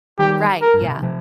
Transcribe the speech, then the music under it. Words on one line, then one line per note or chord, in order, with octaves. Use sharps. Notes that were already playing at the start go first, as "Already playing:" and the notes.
Right, yeah.
D#3 G3 G4
A#4
G2
A#2
C3
D#3
C3 F3